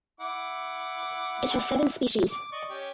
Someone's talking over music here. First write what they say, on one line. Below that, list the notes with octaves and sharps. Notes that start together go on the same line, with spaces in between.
It has seven species.
E4 F#5 D6
D6
D5 D#5 C#6
C#4 G4